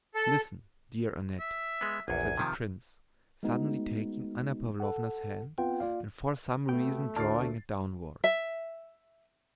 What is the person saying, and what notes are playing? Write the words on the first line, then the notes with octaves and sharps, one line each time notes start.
"Listen, dear Annette," said the prince, suddenly taking Anna Pavlovna's hand and for some reason drawing it downwards.
A4
E5
G#3 B3
A#1 E2 G#5
C3 D#3 F3
G#3 A3 B3 D#4 F#4
A4 F#5
B3 C4 F4 B4 F#5 G5
A#3 F4 D5 F5
B2 A3 B3 G5
D2 D5 A5 F6 A6 C7
E5